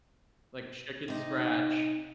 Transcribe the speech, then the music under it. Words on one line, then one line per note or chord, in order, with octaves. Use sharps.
like, chicken scratch,
C3 D#4